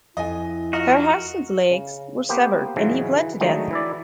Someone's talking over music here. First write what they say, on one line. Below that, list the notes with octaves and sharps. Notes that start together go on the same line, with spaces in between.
Herrhausen's legs were severed and he bled to death.
F2 E4 D#5 G#5
F4 F#4 A#4 D#5
C#3
A#3 B3 G4 C5
G#2 C#3 E3 F#3 G#3 F4
E3
D3 D#3 F#3 G#3 A3 D#4
E3 E4 D5